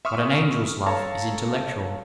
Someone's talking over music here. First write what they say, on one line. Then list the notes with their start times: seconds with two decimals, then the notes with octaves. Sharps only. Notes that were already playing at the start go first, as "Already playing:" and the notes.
But an angel's love is intellectual.
0.05 E5 C6 C#6 D#6 F6
0.86 A4 C#5 F5 A5 A#5